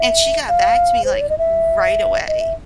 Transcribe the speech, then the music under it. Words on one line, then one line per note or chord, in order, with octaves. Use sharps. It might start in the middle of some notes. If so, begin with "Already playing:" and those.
and she got back to me, like, right away
Already playing: E5
F5
C5
C#5
D5
D#5
E5
D#5
E5